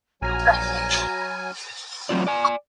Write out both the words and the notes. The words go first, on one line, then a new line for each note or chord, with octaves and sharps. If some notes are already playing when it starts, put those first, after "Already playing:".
It is located in Manthani mandal.
A#1 F#3 G#5 A#5 F6
A2 F#3 C4 F4 D5
D5 G#5